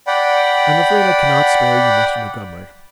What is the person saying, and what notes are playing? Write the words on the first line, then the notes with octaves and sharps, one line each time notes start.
"I am afraid I cannot spare you, Mr. Montgomery."
D5 F#5 G5 B5